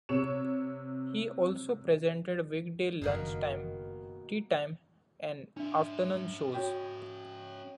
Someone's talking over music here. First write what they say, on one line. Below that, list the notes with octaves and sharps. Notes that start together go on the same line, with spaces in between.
He also presented weekday lunchtime, teatime and afternoon shows.
C3 C#5 E7
F#1 G2 B2 D#3 A#3
C#4 D4 E5
F#4 C#5 D#5 G5